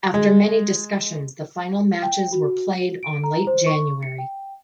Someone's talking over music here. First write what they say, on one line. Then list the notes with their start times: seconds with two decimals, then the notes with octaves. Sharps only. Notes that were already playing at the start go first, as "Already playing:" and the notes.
After many discussions the final matches were played on late January.
0.14 G#3
2.03 G5
2.32 F#4
3.03 D7
3.24 A#5
3.47 C5
3.66 C#6
4.03 C#7
4.18 G5